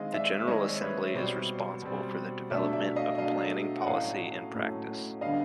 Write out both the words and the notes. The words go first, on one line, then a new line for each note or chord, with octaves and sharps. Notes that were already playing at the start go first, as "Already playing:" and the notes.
The General Assembly is responsible for the development of planning policy and practice.
Already playing: D#3 G#3 C4 D#5 F5
D5 E5
D#3 G#3 C4 C#5 D#5
B4 C#5
B2 G3 C4 C5 D5
B2 G3 C4
B2 F#3 A3 D4 D5 E5
D5 E5
D#5 F5
B2 F#3 A3 D4 D#5 F5
F#5
A2 F#3 A3 C#4 D#5 F5
A2 F#3 A3 C#4
D3 G3 B3 D4 D#5 F5